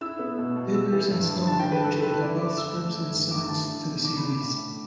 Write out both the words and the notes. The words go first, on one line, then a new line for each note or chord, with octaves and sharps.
Biggers and Stover contributed both scripts and songs to the series.
E4 E6
B3
B2
B2
G3 E6
E3
G2
G2
D4 A5
G5
D3
B4
G3 A4
D3 B4
E4 D5
E4 D6
E4 E6
A3
E3
G2
G2 D6
E4 A5
D4
B2
D4 D6
B5
D4
D6
A2
A2